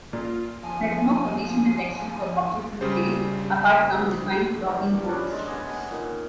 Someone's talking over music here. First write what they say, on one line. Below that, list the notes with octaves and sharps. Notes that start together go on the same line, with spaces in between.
There is no collision detection for objects in space, apart from defined docking ports.
A#2 F4
F3 G#5
C#3 G3 C5
E3 G3 A#4
C#4 D4
G#3
B3 D#5 G#5
A#2 D#3